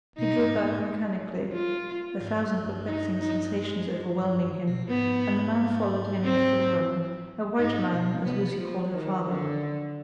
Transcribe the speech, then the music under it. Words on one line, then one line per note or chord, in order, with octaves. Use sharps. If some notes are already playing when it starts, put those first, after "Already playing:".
He drew back mechanically, a thousand perplexing sensations overwhelming him, and the man followed him into the room--a white man, as Lucy called her father.
B2 D#4
G#2
G#2
F4
G#2
G2
D#4
D#4
G#3
G2
B2
G#2 B3
C4
G#2 D#4
B2
C3 B3
F3
D#3
D3